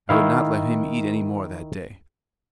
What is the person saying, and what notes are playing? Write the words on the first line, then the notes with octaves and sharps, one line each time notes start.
I would not let him eat any more that day.
D#3 E4 F5